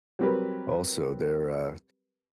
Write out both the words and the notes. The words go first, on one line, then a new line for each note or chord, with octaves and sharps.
Also, they're, uh
F#3 G3 C4 G4 A#4 B4